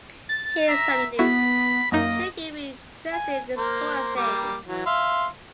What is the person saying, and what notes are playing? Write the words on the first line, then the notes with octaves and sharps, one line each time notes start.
Here is some news, should you be interested in this sort of thing.
A6
E5 A#5
B3 E4 F#4 B5
F#2 A#3 D#4 D#5
G#5
A#3 A#4 C5
G3 A#3 D6
E3 F#3
E5 F5 C6